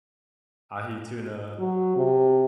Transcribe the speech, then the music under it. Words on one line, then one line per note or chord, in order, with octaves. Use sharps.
ahi tuna,
F#3
C3